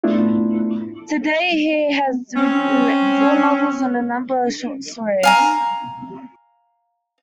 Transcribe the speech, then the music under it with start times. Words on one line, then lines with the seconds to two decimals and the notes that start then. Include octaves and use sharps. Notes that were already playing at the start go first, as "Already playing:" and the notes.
To date he has written four novels and a number of short stories.
0.04 A3 B3 D4 E4 F4
2.36 C4 C#4
5.23 F5 G#5 A#5